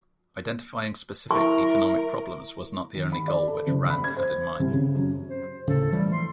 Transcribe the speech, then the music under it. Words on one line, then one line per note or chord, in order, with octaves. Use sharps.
Identifying specific economic problems was not the only goal which Rand had in mind.
E4 A#4 E5 C#6
D#3
B5
D5
A4
F#1
B5
G#6
C5
C2
C#3
F#2
C5
A2 C#3 A4
E3 F3 G3 A3
C6